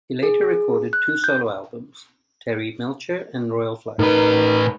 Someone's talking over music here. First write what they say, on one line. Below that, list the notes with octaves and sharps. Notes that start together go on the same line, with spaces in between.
He later recorded two solo albums, "Terry Melcher" and "Royal Flush".
G#4
F#6
G6
A2 D#4 A#4 B4